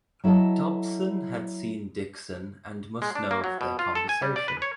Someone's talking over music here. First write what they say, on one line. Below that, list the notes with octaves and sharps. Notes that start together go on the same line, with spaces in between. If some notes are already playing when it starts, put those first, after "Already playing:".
Dobson had seen Dixon and must know of their conversation.
F#3 E4 A4 D#5 A5
G#3
D4
A#3
F#3
B2
F4
A4
G#5
G3
D5
B4
C#5